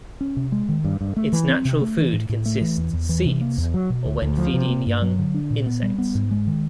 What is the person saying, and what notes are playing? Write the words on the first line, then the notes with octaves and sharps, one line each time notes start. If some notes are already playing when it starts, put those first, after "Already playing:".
Its natural food consists seeds, or when feeding young, insects.
C#4
C3
G#3
D#3
G2
G2
A3
E3
C4
C3
A3
E3
A2
A2
A3
E3
E2
E2
E3
C3
A#3
E2
F#3
B2
D2
D2
F3
C3
A#3
G2
F#3
D3
D4
A#2
B3
G3
B3
G#2
G#3
D#3